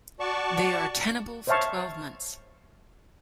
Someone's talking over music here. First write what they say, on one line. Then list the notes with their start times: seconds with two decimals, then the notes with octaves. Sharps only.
They are tenable for twelve months.
0.20 F#4 D5 A5 C#6
1.47 C5 C#5 E5 F5 A5 C#6